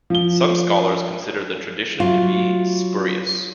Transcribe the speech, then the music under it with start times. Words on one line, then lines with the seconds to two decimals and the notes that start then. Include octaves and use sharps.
Some scholars consider the traditions to be spurious.
0.10 F3 G7
2.00 F#3 F4